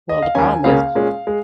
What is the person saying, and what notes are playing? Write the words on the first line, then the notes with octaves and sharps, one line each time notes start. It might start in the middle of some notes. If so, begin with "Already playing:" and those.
Well, the problem is
D#5
F5
D#2 D#3 C#4 G#5
C#2 C#3 A#3 C#4 F5
A#2 G#3 C#4
G#3